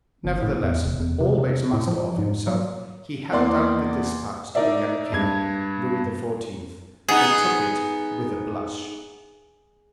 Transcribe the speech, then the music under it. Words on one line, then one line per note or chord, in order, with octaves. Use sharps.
Nevertheless, always master of himself, he held out the dispatch to the young king, Louis XIV., who took it with a blush.
G1
A2
E2
F1
E2
C3
C3
A2
F3
G#2
F#3
E2 A#3 D5 C6
D#4 A#4 D5 E5
G2 G#6
B3 D#4 G#4